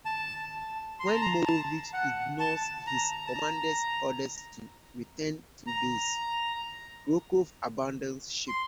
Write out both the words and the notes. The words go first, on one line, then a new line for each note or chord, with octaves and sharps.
When Morovich ignores his commander's orders to return to base, Krokov abandons ship.
A5
C6
A#5
A5
A#5
A5
F#5
A5
A#5
A5
A#5
A#5
C6